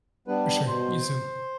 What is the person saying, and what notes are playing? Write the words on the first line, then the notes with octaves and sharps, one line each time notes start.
For sure, you too.
G3 B3 D4 B4
B2 C5